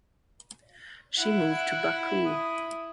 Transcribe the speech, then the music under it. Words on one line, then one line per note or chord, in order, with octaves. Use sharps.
She moved to Baku.
E4 F#5
D#6